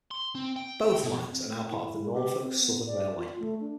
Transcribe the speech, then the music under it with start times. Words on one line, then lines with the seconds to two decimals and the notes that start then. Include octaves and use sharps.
Both lines are now part of the Norfolk Southern Railway.
0.11 C6
0.35 C4
0.56 G5
1.04 B2
1.31 C4
1.46 A3
1.69 E4
2.01 G#3
2.14 G4
2.42 C4
2.60 B3
2.86 D5
3.17 F4
3.39 A3
3.60 D4